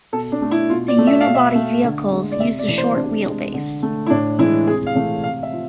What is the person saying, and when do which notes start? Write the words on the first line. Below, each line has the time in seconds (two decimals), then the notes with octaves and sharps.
The unibody vehicles used a short, wheelbase.
0.12 B2 A4
0.32 D4
0.42 A3
0.51 E4
0.70 B2 F4
0.88 D5
0.98 A3
1.07 E5
1.20 F5
1.27 B2
1.34 E5
1.55 A3
1.83 D3
2.11 G#3
2.32 D5
2.40 C3 E5
2.59 D5
2.68 E3 A3
2.78 C5
2.96 C3 D4
3.25 G#3
3.54 D3
3.82 A3
4.06 E4
4.10 A2 D4
4.39 E3 G#3 E4
4.67 C3 G#4
4.86 F5
4.95 E3 A3
5.23 C3 F5
5.43 E5
5.53 F3